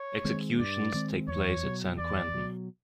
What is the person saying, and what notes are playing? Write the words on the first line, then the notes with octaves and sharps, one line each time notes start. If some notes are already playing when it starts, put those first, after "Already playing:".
Executions take place at San Quentin.
Already playing: C#5
D#3 G#3 C4
G2 D5
D#3 G#3 C4
E2 C#5
B2 F#3
E2 D5
B2 F#3